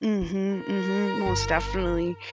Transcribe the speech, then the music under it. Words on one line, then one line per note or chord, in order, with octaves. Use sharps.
Mhm, mhm, most definitely,
E4
A#4
G1